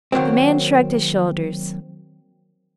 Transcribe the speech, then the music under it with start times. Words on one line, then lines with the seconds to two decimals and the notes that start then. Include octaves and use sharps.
The man shrugged his shoulders.
0.12 D#3 F#3 A#3 C4